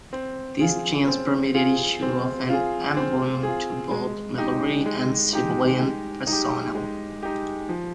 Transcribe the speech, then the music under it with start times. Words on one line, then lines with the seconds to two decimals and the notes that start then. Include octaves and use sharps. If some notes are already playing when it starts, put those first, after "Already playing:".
This change permitted issue of an emblem to both military and civilian personnel.
0.13 C4
0.60 F4 G#4
1.07 C4
1.54 F4 G#4
2.02 C4
2.49 F4 G#4
2.97 C4
3.43 F4 G#4
3.91 G#3
4.38 D#4 G4
4.86 G#3
5.33 D#4 G4
5.80 G#3
6.27 D#4
6.32 G4
6.75 G#3
7.23 D#4 G4
7.69 F3